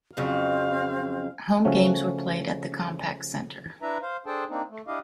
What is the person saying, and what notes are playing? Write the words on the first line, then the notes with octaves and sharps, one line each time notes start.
Home games were played at the Compaq Center.
F2 C#3 F#3 C4 F5
C#3 F3 A3 C#4 F#4
D4 E4 B4 E5 A#5
C5 F5
D4 G#4 A4 C5 G5 A5
A#3 C4 D4 D#4
A3
D4 E4 G4 D#5 F5